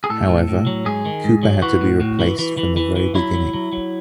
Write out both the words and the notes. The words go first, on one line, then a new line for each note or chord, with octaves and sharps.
However, Cooper had to be replaced from the very beginning.
G#4
A2 A4
A2
A2
F#3
G#2 G#4
D#3
G#2
F#3
E3 F#4
A2
A2
E3
E3
E3
E3
E3
F#3 E4
F#3
F#3
F#3